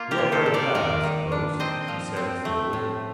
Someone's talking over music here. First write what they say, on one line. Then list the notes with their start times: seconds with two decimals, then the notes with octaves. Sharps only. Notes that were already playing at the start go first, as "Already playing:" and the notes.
"You are very glad, I suppose," she said slowly.
Already playing: A#3 F4
0.11 G4 A#4
0.18 A#2
0.32 A4 C5
0.46 A#2
0.54 A#4 D5
0.75 D#3 A#4 D5
1.03 D#3
1.32 D4
1.60 C4 C5 D#5
1.88 F3
2.17 C4
2.45 A3
2.73 A2